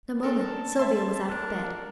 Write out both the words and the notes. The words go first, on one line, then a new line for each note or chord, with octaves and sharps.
In a moment Sylvia was out of bed.
D4 A4 A#4 A5
E5 C6
D4 A#4